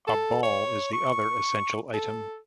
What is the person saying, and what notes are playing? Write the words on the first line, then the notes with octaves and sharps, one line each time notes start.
A ball is the other essential item.
A4
C#5
C#6
A4